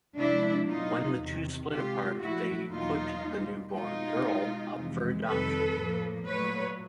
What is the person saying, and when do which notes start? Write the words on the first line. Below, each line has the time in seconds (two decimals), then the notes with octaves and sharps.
When the two split apart, they put the newborn girl up for adoption.
0.17 C3 F3 G#3 D4 E4
0.68 B2 F#3 A#3 D#4 F4
1.19 E2 C3 D#3
1.70 C3 D#3 G#3 F4 G4
2.21 A#2 F3 A3 E4 F#4
2.71 E2 B2 F#3 A#3 D#4 F4
3.23 B2 G3 A#3
3.73 B2 G#3 D#4 F4
4.23 B2 G#3
4.75 F2 C3 E3 G#3
5.26 F2 C3 D#3 G3 A4 B4
5.77 A2 F3 A#3
6.27 A#2 F#3 A3 B4 C#5